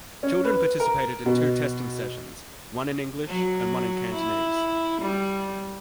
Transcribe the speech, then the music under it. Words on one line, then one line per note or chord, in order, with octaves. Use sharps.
Children participated in two testing sessions, one in English and one in Cantonese.
C#4
B4
A#4
B2
F#3
E4
G3